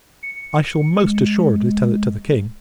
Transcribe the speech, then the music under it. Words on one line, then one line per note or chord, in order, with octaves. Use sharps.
I shall, most assuredly, tell it to the King!
C#7
G#3